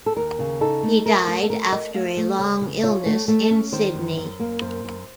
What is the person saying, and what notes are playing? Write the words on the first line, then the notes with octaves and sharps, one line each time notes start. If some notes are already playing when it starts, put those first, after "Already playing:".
He died after a long illness in Sydney.
A4
D#2 A#4
C#3
D#4 A4
A3
A3 A#4
A3 F4
F#4
A4
A3 A#4
A3 D#5
A3 F5
A3
C#3 C#5
C#3
F4 C#5
A3
A3
C#4
D#3 C5
F#2
F#2
A#3
F#2 C5
F#2